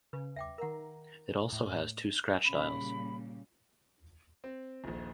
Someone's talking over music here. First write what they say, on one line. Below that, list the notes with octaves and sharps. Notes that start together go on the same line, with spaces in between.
It also has two scratch dials.
C#3 B4
E5 G5 D6
D#3 A#4 F#5 A#5
A2
A2
A#2 C#3 G3 B5
C4
D#1 A#1